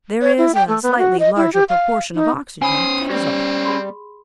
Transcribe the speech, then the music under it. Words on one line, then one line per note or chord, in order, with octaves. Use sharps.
There is a slightly larger proportion of oxygen; that is all.
C#5
E4
G5
A3
B3
F#4
D#5
E4
G4
F5
D#4
C#4 C5 G#5 B5 C6 D#6
G3 A#3 C4 G4
G#4 B5 C6